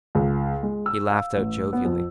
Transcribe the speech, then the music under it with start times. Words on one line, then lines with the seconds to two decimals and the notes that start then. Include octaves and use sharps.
He laughed out jovially.
0.15 C#2
0.63 G#3
0.86 E6
1.10 F5
1.36 A1
1.73 B3
1.85 F2